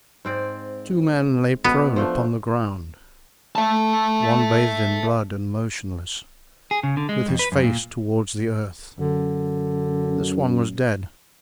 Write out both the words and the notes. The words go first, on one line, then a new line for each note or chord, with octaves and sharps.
Two men lay prone upon the ground, one bathed in blood and motionless, with his face toward the earth; this one was dead.
G#2 C4 D5
B2 B3
F3 A3 D4
E5 A5
G#4
C#3
D3
G#3
F2
B4
F#2
A#2
F#2 D3